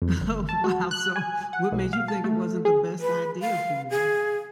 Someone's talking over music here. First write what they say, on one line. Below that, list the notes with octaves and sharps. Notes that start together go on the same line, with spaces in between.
Oh, wow, so, what made you think it wasn't the best idea for you?
F2
G1
A5
F#4
F#6
G#5
F#5
B1
F5
A5
A3
G#4
B4
F5
G#4